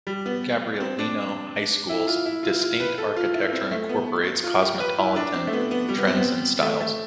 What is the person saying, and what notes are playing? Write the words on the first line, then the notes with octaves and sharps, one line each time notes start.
Gabrielino High School's distinct architecture incorporates cosmopolitan trends and styles.
G3
B3
C4
D4
E4
F4
E4
F4
F4
B4
A4
F4
E4
C4
A3
B3
F4
G4
B4
E4
D4
C4
A3
B3
B3
G3
B3
C4
B3
A3
A3